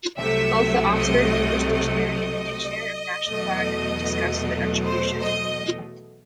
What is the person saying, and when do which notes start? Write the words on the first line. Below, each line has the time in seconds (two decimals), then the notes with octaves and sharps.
Both the "Oxford English Dictionary" and "The Dictionary of National Biography" discuss the attribution.
0.18 C2 C3 F#3 A3 E5
0.95 D#5
1.73 D#5
3.28 E2 B2 F#3 A3
4.84 C5
5.22 D#5